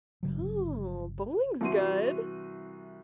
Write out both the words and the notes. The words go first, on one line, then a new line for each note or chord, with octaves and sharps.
Oh, bowling's good,
G1 C#3 F#3
C2 E3 F#4 C6 D#7